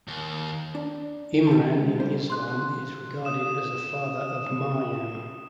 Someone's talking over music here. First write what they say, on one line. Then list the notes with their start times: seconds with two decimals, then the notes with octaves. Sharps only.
Imran in Islam is regarded as the father of Maryam.
0.08 D#2
0.75 D4
1.47 D#4 G5 A5
1.78 G#3
2.00 G3 C5
2.30 C6 F#6
3.25 D#6 E7